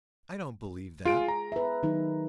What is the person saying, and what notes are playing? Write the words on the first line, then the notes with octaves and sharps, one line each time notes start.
"I don't believe that."
F4 G#4 D7
A#5
B4 E5
D#3 F#3 D#4